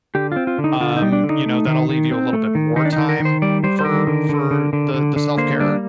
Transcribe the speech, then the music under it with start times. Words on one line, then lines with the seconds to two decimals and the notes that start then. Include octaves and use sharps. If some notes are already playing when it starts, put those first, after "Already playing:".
um, you know, that'll leave you a little bit more time for for the the self-care,
0.15 D3 G4
0.32 C4 F4
0.47 F4
0.58 D3
0.64 D#4
0.80 D3 F4
0.96 D#4
1.02 G3
1.13 D4
1.23 D3
1.29 D#4
1.45 A3
1.67 D#3
1.89 D#3
2.11 C4
2.33 A3
2.55 D#3
2.76 D#3 D#4
2.85 D4
2.93 D#4
2.98 D#3
3.09 A#4
3.20 D#3
3.25 C5
3.42 G3 D5
3.64 G3 C5
3.79 C5
3.85 D#3 A#4
4.07 D3
4.29 D3
4.51 D3
4.73 D3
4.94 D3
5.16 D3
5.38 A#3 C5
5.60 G3 D4